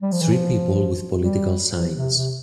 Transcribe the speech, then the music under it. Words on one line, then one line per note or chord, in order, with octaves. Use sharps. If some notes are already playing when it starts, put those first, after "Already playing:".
Three people with political signs.
G3
F3
E3
F3
G3
F3
C3
C3